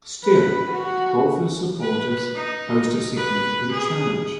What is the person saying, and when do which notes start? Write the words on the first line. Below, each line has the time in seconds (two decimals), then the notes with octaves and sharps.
Still, Crawford's supporters posed a significant challenge.
0.24 B4
0.71 F#4
1.81 B4
2.34 D#4
3.16 B4
3.73 G#4